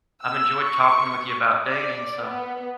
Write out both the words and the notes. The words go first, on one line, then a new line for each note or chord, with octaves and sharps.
I've enjoyed talking with you about dating, so
E6
C#6
D5
B3